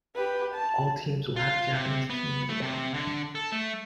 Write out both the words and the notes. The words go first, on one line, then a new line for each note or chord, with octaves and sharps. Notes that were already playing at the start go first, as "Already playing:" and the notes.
All teams will have a Japanese team as a partner.
G4 B4
A5
F4
C3
B3
A3
C3
D3
A4
A3